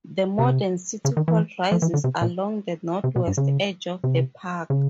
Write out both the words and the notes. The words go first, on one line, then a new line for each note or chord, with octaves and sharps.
The modern city hall rises along the northwest edge of the park.
C3
C#3
D#3
E3
F3
E3
D3
C3
A#2
C3
B2
G2
C#3
C3
C#3